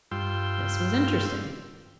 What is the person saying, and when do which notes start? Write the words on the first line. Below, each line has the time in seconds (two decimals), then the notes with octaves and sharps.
This was interesting.
0.11 G2 F4 G5 C6 E6